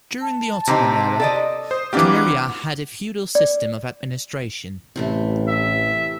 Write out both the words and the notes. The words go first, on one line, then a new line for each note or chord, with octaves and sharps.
During the Ottoman era, Chameria had a feudal system of administration.
A5
C3 E3 C4 D#4 A#5 C6
A4 D5 D#5
C5 D#6
E3 A#3 C4 D4 G4 F#5
D5
A1 C3 E3 A3
E5